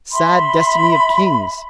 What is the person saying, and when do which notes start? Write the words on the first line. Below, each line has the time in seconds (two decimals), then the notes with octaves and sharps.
Sad destiny of kings!
0.12 E5 B5 C6